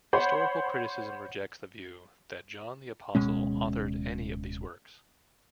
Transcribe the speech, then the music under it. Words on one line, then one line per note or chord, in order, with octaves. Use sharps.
Historical criticism rejects the view that John the Apostle authored any of these works.
C5 C#5 F#5 B5
D1 B2 G#3 C#4